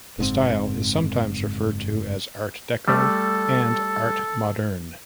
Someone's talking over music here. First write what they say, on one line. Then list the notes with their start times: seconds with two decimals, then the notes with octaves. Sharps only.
The style is sometimes referred to as Art Deco and Art Moderne.
0.19 F#1 G#2 C4
2.88 G3 A3 A4